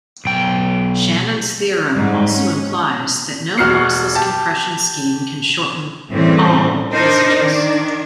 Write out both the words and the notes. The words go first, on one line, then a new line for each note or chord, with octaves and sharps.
Shannon's theorem also implies that no lossless compression scheme can shorten "all" messages.
B1 G5
G#2 G3
C#4
E1 F#4 F6 C7 C#7
G4 A5
A2 C#3 E3 G3 C4
D4 D#4 A#4 C5
D#3 D4